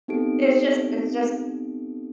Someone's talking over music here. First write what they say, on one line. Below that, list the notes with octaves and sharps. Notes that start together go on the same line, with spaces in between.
it's just it's just
B3 C4 D#4 G4 A4 D7